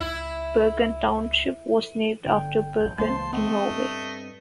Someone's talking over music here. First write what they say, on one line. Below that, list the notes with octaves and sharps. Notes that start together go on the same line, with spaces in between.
Bergen Township was named after Bergen, in Norway.
C#2 E4
G1 D3 G5
A1 F#2 G6
C#2 C#3 E3 G#3 A#3 C5 A5 C6
A3 B3 C4 D#5
G2